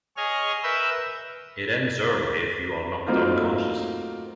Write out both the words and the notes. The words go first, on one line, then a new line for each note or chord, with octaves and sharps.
It ends early if you are knocked unconscious.
G#4 C#5 D#5 G#5 F6
A#4 B4 E5 E6 G6
F#3 A3 A#3 C4 D#4 F4